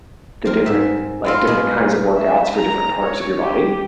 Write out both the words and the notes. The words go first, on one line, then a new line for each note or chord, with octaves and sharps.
the different like, different kinds of workouts for different parts of your body?
C4 A#4
G#2 E5
B3 C4 F4
B2 G#3
E5
A#5
C#5
G4